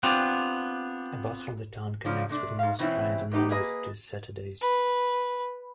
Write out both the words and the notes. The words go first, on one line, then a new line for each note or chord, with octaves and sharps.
A bus from the town connects with most trains on Mondays to Saturdays.
B3 C4 D4 F4 G4
C#3 F3 F#3 D4
C3 A3 D4
G#2 F5
B2 E3 C4 C#4 E4
E2 B3 D#4 G4
A#3 G#4 B4 D#5
B4